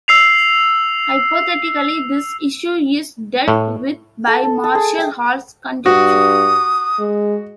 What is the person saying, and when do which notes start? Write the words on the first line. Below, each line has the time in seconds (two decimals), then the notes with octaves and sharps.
Hypothetically this issue is dealt with by Marshall Hall's conjecture.
0.08 E6 C7 F7
3.48 A2
4.27 A4
4.43 A4
4.64 A4
4.75 G#4
4.98 G5
5.86 G2 F#4 D#6
6.99 G#3